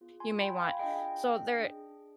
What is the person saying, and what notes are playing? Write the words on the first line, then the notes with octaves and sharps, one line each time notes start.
you may want. So there
B3 F4 G#4
G#5 C6
G5 B5
F5 G#5
D4 F4 G#4 D#5 G5
D4 G#4